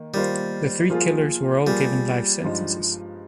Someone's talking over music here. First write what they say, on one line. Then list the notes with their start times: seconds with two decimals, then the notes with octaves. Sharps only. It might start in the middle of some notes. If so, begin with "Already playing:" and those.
The three killers were all given life sentences.
Already playing: D#3 A#3
0.13 D#3 G3 A#3 F4 C5
0.90 F3 A#3 F4 G#4
1.66 F3 G3 A#3 F4 G#4
2.43 G2 F3 G#3 D#4